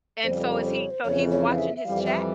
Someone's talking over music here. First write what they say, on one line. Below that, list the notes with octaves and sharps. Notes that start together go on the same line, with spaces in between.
And so is he so, he's watching his chat
F2 C#3 G3 C5
C5
C#5
C5
F2 C#3 E3 C#5
C#5
F5
E5
E5
F2 E3 G3 F5
E5